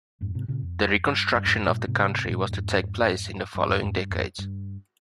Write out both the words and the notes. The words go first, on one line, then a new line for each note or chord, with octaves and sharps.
The reconstruction of the country was to take place in the following decades.
F2 G#2
G#2 C3
A#2 C#3
F2
G2
G2
F2 G#2
G2 A#2
G#2 C3
G#2
G2 A#2
F2 G#2
G2
F2 G#2
F2 G#2
G2
F2 G#2
G2